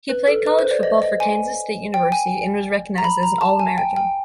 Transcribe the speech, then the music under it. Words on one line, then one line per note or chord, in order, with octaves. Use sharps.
He played college football for Kansas State University and was recognized as an All-American.
B4
A4
B4
C5
D5
D#5
D#5
G#5
G5
G#5
A#5
B5
A#5
A5
G#5
G5
G5